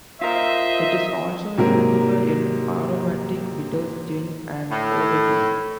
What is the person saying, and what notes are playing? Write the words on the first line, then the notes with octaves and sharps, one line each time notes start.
It is also included in aromatic bitters, gin and herbal teas.
F4 A#4 C5 D#5 E5
G#2 C3 F#3 A#3 A#4
A2